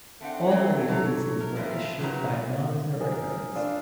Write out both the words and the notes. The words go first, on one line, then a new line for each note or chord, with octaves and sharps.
All three releases were issued by Mountain Records.
A3 C4 D4 F#5
E3 F#3 A3 C4 C#4
E3 A4 C#5 A#5
A#4
F2 A2 E4 F4
E2 G#2 D#3 F#3 B4 A#5
G#4 A#4 E5
D4 F4 E5